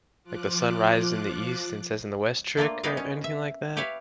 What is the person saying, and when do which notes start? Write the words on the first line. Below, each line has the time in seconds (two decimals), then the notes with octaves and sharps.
like, the sun rises in the east and sets in the west trick or anything like that,
0.24 F3 F4 D6 F#6
2.57 A3 A#3 D4 F4
2.83 G3 B3 D#4 A#4 B4 F5
2.97 C#4
3.24 E5
3.77 G4 B4 C#5 E5 F5